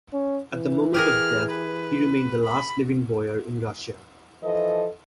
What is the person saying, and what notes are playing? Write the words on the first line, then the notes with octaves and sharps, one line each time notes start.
At the moment of death he remain the last living boyar in Russia.
C#4
E3
G4 G#4 A#4 F6
B4
B5
E3 F3 A4 D#5